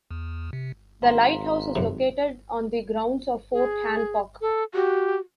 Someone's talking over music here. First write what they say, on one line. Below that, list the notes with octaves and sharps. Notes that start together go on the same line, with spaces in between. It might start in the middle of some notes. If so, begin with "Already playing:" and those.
The lighthouse is located on the grounds of Fort Hancock.
E2
C3
G#1 F5 A#5 C6
F#2 C3
G#4
A4
F#4 G4